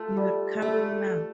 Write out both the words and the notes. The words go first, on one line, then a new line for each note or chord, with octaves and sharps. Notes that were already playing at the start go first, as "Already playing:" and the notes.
You're coming now.
Already playing: A3 F4
G3
A3 A4
A4